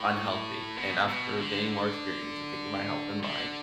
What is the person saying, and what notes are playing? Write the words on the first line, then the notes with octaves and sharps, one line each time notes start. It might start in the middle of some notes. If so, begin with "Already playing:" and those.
unhealthy. And after getting more experience of taking my health and mind
Already playing: A2
B2
B2
D3
D3